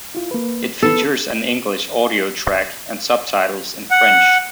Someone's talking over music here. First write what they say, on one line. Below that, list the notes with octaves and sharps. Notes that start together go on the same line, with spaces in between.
It features an English audio track and subtitles in French.
E4 F4
A#3 B4
B3 A4 B4
F#5